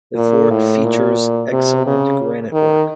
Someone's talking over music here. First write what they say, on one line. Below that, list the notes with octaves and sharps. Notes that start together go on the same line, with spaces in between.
The fort features excellent granite work.
A#2
A2
A#2
C3
C#3
D#3